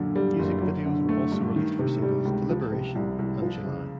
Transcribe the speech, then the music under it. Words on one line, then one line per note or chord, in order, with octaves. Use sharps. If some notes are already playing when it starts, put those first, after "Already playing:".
Music videos were also released for singles "Delibration" and "July".
Already playing: F#2 A#2 D3
G3
F#1
F#3
D3
A3
G2
D#3
C3
G3
C#2
F3
C3
C2
C2
F3
C#3